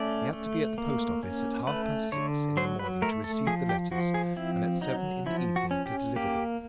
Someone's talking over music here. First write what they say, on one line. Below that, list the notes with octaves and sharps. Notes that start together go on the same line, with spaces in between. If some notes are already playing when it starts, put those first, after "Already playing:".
He had to be at the post office at half-past six in the morning to receive the letters, and at seven in the evening to deliver them.
Already playing: A3 C#4 D5
A3
A#3
C#4
A3 B4
D3 C#5
F#3 C5
B4
A3 A#4
A4
F3 G#4
G4
F3 F#4
G#4
C4 E4
F#3 D#4
F3 E4
F#4
C#4
G4
A#3 G4